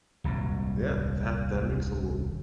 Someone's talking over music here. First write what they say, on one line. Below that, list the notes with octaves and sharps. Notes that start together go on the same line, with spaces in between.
Yeah, that that makes a lo
D#1 C2 G#2 F#3